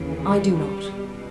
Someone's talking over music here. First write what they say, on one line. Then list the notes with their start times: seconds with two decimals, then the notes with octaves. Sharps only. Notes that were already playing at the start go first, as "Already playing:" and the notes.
I do not.
Already playing: D#2 C#3 E3
0.23 G3
0.53 G3
0.85 C#2 B2